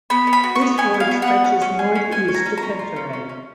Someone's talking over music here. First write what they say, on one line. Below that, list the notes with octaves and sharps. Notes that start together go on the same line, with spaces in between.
This ward stretches north east to Pencarreg.
B3 B5
B3
B5
F#4
C#6
B3
B3 G#5
B3
F5
B3
F#5
B3
C#4
C#4
G#4
C#4
C#4 G#5
C#4
A#5
C#4
A#5
C#4
F4
C#4
C#4
C#4